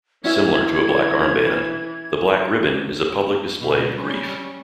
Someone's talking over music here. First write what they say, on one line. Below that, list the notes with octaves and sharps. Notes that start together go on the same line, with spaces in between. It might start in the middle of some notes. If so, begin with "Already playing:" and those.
Similar to a black armband, the black ribbon is a public display of grief.
E3 C#4 E4 E5 G#6
B2
G3 C#4